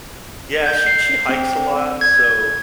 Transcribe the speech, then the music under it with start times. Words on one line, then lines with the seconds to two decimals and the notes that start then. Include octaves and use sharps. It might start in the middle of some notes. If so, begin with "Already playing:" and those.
Yeah, she she hikes a lot, so
0.66 G6
0.86 C7
1.29 C4
2.01 G#6